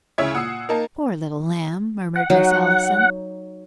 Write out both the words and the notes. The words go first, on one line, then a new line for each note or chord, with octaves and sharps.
"Poor little lamb," murmured Miss Allison.
D2 C#3 E4 C#5 E5 G#6
A#2 F#5 D#6 E6 C7
A#3 D#4 A#4 A5
F#5
F#3 D#4